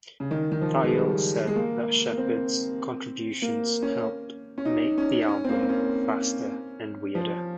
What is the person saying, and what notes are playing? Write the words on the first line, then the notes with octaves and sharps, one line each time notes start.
Thayil said that Shepherd's contributions helped make the album "faster" and "weirder".
C#3
D#3
D#3
F3
G#3
G3
G#3
A#3
A#3
C4
A#3
C#4
C#4
D#4
C#4
C#4
C4
A#3
C4
C#4
F3